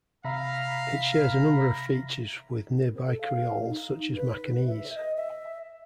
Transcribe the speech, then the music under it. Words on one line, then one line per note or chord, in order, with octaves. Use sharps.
It shares a number of features with nearby creoles such as Macanese.
C3 E5 F5 A#5 B5
A4
F5
D#4
B4
E5
D#5
E5